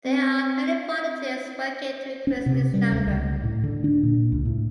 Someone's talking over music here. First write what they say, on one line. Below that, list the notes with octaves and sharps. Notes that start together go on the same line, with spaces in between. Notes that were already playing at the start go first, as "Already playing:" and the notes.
There are many volunteers working to increase this number.
C4
C#4
C3
G3
D2
C#2
A2
D3
D4
A#2
C#2
A2